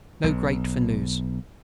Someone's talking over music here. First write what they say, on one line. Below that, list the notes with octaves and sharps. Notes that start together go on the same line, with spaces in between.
No great for news.
B1